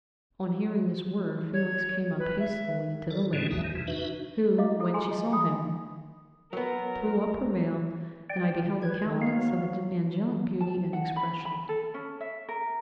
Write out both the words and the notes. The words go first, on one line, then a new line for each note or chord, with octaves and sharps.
On hearing this word, Felix came up hastily to the lady, who, when she saw him, threw up her veil, and I beheld a countenance of angelic beauty and expression.
C#5
B4
E5
A4 A#4 D5
G#2 D3 E3 G#3 C#4
G#1 D#2 B2 F#4 E5
D#3
F2 C3 E3
D4 D#4 F#4 B4 E5
E4 D#5 F5 D6
E4 A4
F4 G#4 G#5 A#5 C6 D6
D#5 G#5 A5
G5 G#5 B5 D#6
F#3 B3 A#4
D5 G5
B4 G#6
D#3
F5
F#3
A5
F#5
B5
B5
A4
C#4
E5
A#4